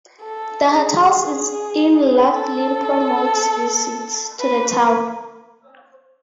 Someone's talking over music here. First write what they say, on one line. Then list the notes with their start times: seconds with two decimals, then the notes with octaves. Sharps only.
The hotels in Laughlin promotes visits to the town.
0.21 A4
0.74 G#4
1.26 G#4
2.31 A4
4.40 B4